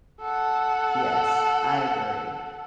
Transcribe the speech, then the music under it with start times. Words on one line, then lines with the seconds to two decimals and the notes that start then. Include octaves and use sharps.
Yes, I agree.
0.21 A4 F#5